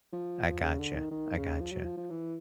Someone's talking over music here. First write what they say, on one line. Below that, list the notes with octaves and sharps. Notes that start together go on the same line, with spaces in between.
I gotcha, I gotcha.
F3
C#3
D3
D#3
D#3
C#3
F3
F#3
F3
F3
E3